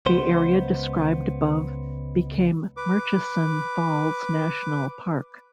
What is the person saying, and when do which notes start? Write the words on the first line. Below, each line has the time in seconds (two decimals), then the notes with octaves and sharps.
The area described above became Murchison Falls National Park.
0.06 C#2 B3 C5
2.77 B4 D6